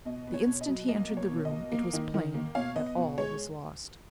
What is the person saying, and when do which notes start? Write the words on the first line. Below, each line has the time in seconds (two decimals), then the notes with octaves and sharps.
The instant he entered the room, it was plain that all was lost.
0.05 B2 D#5
0.27 B3
0.34 C#5
0.47 B2
0.61 D#5
0.68 F#3
0.88 A#3 D#5
1.10 B2
1.17 C#5
1.31 B2
1.45 D#5
1.51 A#3
1.72 A#3
1.93 D#3
2.14 D#3
2.34 A#3
2.55 B2 C#5 F5
2.76 B3 D#5
2.96 B2
3.18 G#3 C#5